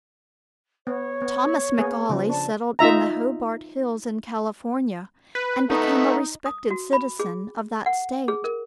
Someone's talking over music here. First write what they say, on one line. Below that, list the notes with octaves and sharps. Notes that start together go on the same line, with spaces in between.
Thomas McAuley settled in the Hobart hills in California and became a respected citizen of that state.
B3 C#5
B3
A#3 B3 G#4
C#3 F3
D4 A5
D#4 F4 E5 A#5
B4
A3 B3 D#4 A4
D#6
F#4
B5
G#4
F#5
G#4
A#4